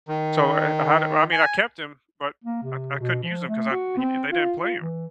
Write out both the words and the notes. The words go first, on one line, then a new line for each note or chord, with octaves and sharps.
So, I I had I mean, I kept him, but I I couldn't use him 'cause I he they didn't play him.
D#3
G#5
A#3
C3
B2
F3
A3
F#4
C4
F4
F4
E3